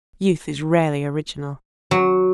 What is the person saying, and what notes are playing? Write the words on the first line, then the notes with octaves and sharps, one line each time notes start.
Youth is rarely original.
F#3